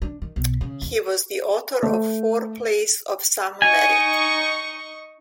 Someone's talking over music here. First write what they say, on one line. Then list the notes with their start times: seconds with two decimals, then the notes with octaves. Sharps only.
He was the author of four plays of some merit.
0.02 D4
0.22 D#3
0.36 B1
0.61 C#3
0.82 D#2
1.83 A3
3.62 D#4 D#5 G#5 C#6